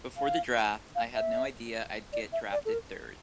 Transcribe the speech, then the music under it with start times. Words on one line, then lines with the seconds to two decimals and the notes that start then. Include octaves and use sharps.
Before the draft, I had no idea I'd get drafted third.
0.17 F5
0.95 F5
1.15 E5
2.13 D5
2.33 E5
2.52 D5
2.66 A4
2.72 A#4